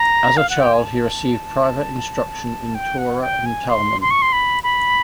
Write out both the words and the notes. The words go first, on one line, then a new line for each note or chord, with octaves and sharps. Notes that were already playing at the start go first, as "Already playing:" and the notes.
As a child he received private instruction in Torah and Talmud.
Already playing: A#5
F5
F#5
G5
G#5
A5
G5
F#5
G5
G#5
C6
C6
C#6
C6
B5
B5